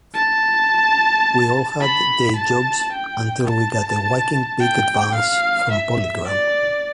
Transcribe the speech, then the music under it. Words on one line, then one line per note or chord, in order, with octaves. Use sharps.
We all had day jobs until we got a whacking big advance from Polygram.
A5
B5
A5
G5
A5
G5
F5
E5
D5